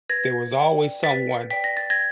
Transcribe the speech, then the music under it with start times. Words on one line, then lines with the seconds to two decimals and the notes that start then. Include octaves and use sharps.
There was always someone
0.10 B4 G#6 A#6
0.57 D5 G5
1.04 B4 A6 B6
1.50 D5 G5 B6
1.64 A#6
1.77 A6
1.90 G#6 A#6